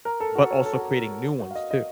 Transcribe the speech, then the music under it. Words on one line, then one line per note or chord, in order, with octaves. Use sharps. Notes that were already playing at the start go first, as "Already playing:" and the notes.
but also creating new ones, too.
A#4
A4
F#4
C#5
A4
F#4
A4
F#4
F5
D#5
D#5